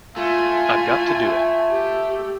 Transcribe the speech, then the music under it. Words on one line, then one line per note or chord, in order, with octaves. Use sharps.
I've got to do it.
A3 F4 G#5
G4